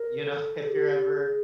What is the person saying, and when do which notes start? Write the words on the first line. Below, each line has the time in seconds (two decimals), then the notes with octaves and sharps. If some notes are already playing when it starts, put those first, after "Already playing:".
you know, if you're ever
Already playing: A#4
0.24 A4
0.66 G#4
0.70 G4
1.16 G#4